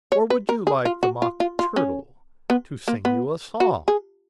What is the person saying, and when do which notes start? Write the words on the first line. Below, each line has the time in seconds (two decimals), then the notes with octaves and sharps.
'Or would you like the Mock Turtle to sing you a song?'
0.12 C#5
0.30 B4
0.49 A#4
0.67 G#4
0.85 F4
1.03 F#4
1.22 F4
1.40 F4
1.59 F4
1.76 C#4
2.50 B3
2.88 A#3
3.05 B3
3.60 F#4
3.88 G#4